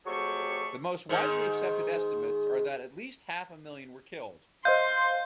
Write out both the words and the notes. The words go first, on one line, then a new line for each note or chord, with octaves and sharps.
The most widely accepted estimates are that at least half a million were killed.
F2 F#3 A3 G4 G#4 C#6
G#2 D#3
C5 D#5 F5 C6 G6